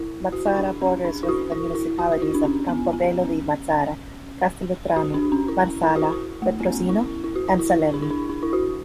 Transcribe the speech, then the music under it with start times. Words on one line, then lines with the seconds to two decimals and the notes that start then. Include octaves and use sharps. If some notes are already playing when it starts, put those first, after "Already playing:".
Mazara borders with the municipalities of Campobello di Mazara, Castelvetrano, Marsala, Petrosino and Salemi.
Already playing: E4
0.32 F#4
0.46 E4
0.58 D4
0.82 C#4
1.05 D4
1.23 E4
1.28 F#4
1.52 E4
1.75 E4
1.99 F#4
2.12 F#4
2.22 E4
2.34 D4
2.45 C#4
2.69 B3
2.93 B3
3.04 C#4
4.96 F#4
5.14 D4
5.32 C#4
5.48 E4
5.83 E4
5.96 F#4
6.02 E4
6.42 A3
6.60 B3
6.66 C#4
6.89 E4
7.24 E4
7.35 F#4
7.48 E4
7.59 E4
7.94 D4
8.02 E4
8.10 D4
8.29 D4
8.43 E4
8.53 F#4